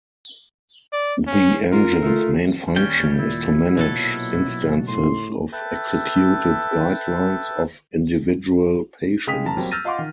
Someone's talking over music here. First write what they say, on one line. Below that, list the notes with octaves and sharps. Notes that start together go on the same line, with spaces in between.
The engine's main function is to manage instances of executed guidelines of individual patients.
D5
C#4
F4 A#4
A3 F4
D#2 G3 C#4 G5
A#2 E4
B1 A#2 F#3 A4
A2 C6
A4 B4 E5 G5 A5
C#3 G#3 G5 D#6 B6 F7
F#1 A5 A#5
F#3 G3 A#3 C4
E6 F6 G6 A6 A#6 D#7
F4 D#5 F5 F#5 C6 D6
D#3